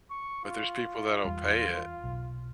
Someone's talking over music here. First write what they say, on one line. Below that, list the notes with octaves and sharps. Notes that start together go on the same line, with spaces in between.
But there's people that'll pay it,
C#6
F4
E2 G3
B1